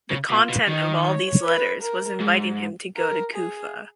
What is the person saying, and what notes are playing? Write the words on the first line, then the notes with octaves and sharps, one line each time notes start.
The content of all these letters was inviting him to go to Kufa.
C#3
B2 F4
B2
D#3 D#5
C#5
B4
A#4
G#2
A#4
G#4